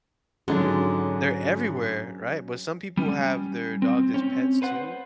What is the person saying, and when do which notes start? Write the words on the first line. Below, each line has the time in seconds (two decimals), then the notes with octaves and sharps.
they're everywhere, right? But some people have their dogs as pets, too,
0.48 G#2 D3 F#3 G#3 C#4 D4
2.97 G3 C#4
3.82 C4
4.14 C4 C#4
4.62 B4 C5 F#5